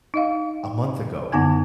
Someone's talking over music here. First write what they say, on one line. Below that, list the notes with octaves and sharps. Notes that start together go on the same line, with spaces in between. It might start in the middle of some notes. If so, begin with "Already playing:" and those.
a month ago,
D#4 D#5 F5
F#2 D3 B3 D#4 G#5 G#6